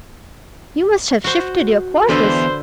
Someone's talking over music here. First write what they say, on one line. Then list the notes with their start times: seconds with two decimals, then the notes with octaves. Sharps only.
You must have shifted your quarters.
1.24 F#4 C5
2.09 E2 D3 B4 C5 E5